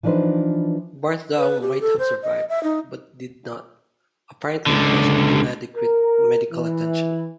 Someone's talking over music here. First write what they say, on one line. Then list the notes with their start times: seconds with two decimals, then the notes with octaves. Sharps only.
Barthou might have survived, but did not, apparently because of inadequate medical attention.
0.03 E3 F3 D4 D#4 B4 C5
1.37 B4
1.62 G4
1.81 A4
1.99 C5
2.23 D#5
2.49 E5
2.64 D#4
4.66 C#2 D3
5.75 A#4
6.52 E3